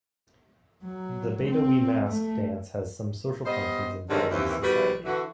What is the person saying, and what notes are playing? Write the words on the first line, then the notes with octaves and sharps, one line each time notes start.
The Betawi mask dance has some social functions in Betawi society.
F#3
C4
A3
G3 B3 C5 D#5
D3 D#3 G3 G#3 C4 C#4
D#2 C3 E3
D#3 G3 B3 F#4 G#4 B4
D3 E3 F#4